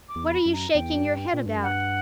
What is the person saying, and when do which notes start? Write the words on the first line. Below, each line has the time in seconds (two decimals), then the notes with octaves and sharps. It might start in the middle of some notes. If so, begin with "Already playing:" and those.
What are you shaking your head about?
0.09 D6
0.16 E2
0.31 B5
0.46 F#2
0.53 A#5
0.75 E2 G5
0.96 F#2
1.04 G2
1.33 A#2
1.46 G2
1.56 F#2
1.63 G2 F#5